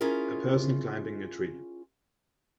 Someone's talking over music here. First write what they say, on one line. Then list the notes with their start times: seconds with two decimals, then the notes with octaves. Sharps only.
A person climbing a tree.
0.01 C#4 E4 F4 G#4 A#4